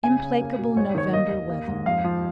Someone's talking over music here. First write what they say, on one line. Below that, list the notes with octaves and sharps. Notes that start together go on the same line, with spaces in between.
Implacable November weather.
C#3 G#5
C#3
A#3
B2
G#2 C#5
D#3 C#5
A#3 D#5
D#2
A#3
G#2
F2 F5
F3